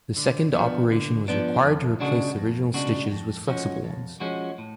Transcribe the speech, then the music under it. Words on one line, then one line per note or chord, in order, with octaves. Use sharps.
The second operation was required to replace the original stitches with flexible ones.
D3
F3 B3 D4
D3
F3 B3 D4
F2
C#3 G#3 D4 F#4
F2
C#3 G#3 D4 F#4
F2
F3 G#3 C#4 F#4
F2
F3 G#3 C#4 F#4
A2